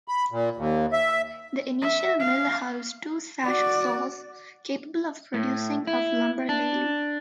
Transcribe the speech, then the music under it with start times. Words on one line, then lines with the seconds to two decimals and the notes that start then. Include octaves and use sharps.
The initial mill housed two sash saws capable of producing of lumber daily.
0.08 B5
0.31 A#2
0.57 D#2
0.93 E5
1.82 E5
2.20 F5
3.44 F#4 D5
5.34 A2
5.87 E4
6.49 D4